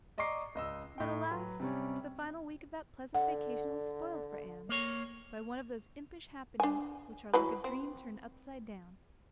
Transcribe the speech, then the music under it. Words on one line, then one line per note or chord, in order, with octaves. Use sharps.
But alas, the final week of that pleasant vacation was spoiled for Anne, by one of those impish happenings which are like a dream turned upside down.
D5 D#5 A#5 C#6 D6 C7
C#2 D#5 E6
A2 G5
F#3 B4
C3 G3 C#4
D3 F#5
A#3 C#5
D4 G#5
E3 F#3 B4
C4